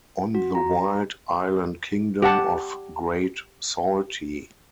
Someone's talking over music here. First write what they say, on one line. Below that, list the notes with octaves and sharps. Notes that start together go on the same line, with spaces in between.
On the wild island kingdom of Great Saltee.
F#4
A#5
G4 F#5 A5